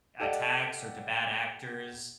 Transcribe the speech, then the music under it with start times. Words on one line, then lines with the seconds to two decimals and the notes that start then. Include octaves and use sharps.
attacks or to bad actors.
0.20 G4 A4 D5 D#5 F5 F#5